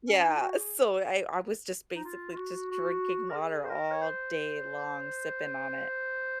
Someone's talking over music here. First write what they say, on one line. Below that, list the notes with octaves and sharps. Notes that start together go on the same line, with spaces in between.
Yeah, so I I was just, basically, just drinking water all day long, sipping on it,
C#4
D#4
F4
F#4
G#4
D#4
F4
F4
F#4
F#4
A#4
G#4
C5
A#4
C#5
C5